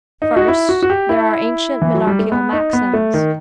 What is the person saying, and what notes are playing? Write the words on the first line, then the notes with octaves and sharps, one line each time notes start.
First, there are ancient monarchical maxims.
D#4
F#4
E4
F#4
F#4
G4
E4
E3
F#3
G3
A3
B3
D#4
B3
A3
D#3